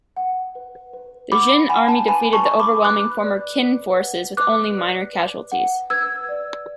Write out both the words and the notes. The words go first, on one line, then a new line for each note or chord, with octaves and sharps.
The Jin army defeated the overwhelming Former Qin forces, with only minor casualties.
F#5
B4
B4
F#5 B5 D6
F#5 G#5 B5
A5
B4 G#5 B5
A5 C#6
B4
B5 D6
B4 D6 F#6
D5
B4
F#5
B4 D6 F#6
D5
B4
F#5
B4 E6 G#6
D5